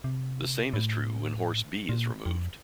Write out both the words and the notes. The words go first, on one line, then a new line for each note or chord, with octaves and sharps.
The same is true when horse B is removed.
C3
A2
A#2
F2